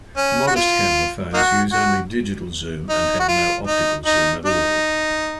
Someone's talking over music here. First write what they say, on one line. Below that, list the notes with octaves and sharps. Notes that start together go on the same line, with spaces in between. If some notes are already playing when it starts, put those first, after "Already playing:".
Modest camera phones use only digital zoom and have no optical zoom at all.
C#4
F#4
F4
A#3 D#4 F#4
F#4
D#4
F#4
F4
D#4
D#4
D#4